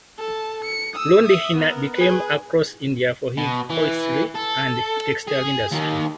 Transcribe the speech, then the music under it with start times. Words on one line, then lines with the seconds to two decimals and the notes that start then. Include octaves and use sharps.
Ludhiana became across India for its hosiery and textile industry.
0.19 A4 A5
0.65 C#7
0.94 D#6 E6
1.26 E5 D#6
1.58 B3 A#4
1.94 G#4 B4
3.37 B2
3.70 E3
4.35 A4
5.27 G#4
5.71 D#2 D#3